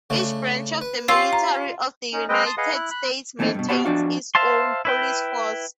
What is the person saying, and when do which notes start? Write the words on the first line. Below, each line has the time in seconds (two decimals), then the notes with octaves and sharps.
Each branch of the military of the United States maintains its own police force.
0.10 C#3 A3 D4
0.81 B4
1.08 C#4 F4 G4 C6 E6
1.33 A#5
2.13 C#4 D#4
2.29 G#3 C4 B4 D#5 G5
2.46 A5 C6 D#6
2.57 G#4 B4 D#5 F5 F#5
2.74 E4 F#6
2.90 B5 F#6
3.39 E3 A3 A#3 C4 D#4
3.54 G2 B2
3.69 B3 F#4 G4 F#5 A5 B5
3.85 F3 D4 F#4 F5
4.35 C5 E5 F5 A5 C6
4.85 E4 B4 G5